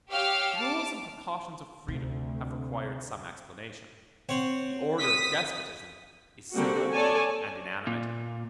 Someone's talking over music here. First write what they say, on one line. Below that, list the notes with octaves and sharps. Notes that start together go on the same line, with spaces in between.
The rules and precautions of freedom have required some explanation; the order of despotism is simple and inanimate.
G4 C#5 F5 G5 E6 F6
A5 D6
D2 C3
C4 C#5 F#5
D#6 B6
D3 G3 A#3 C4 F#4
A4 C#5 D5 G#5 A5
A#2